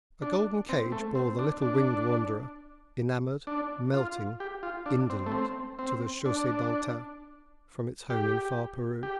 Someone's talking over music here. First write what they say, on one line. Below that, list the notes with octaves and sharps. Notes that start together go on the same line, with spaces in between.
A golden cage bore the little winged wanderer, enamored, melting, indolent, to the Chaussee D'Antin, from its home in far Peru.
D4
C4
A3
C4
D4
D4
D4
F4
G4
F4
D4
C4
A3
C4
C4
D4
G4
G4